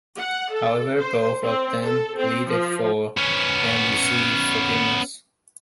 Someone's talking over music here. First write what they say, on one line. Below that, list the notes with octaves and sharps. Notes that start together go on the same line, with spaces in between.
However, both of them pleaded for, and received, forgiveness.
F#5
A4
C5
C4
A4
C4
F3
B3 C#4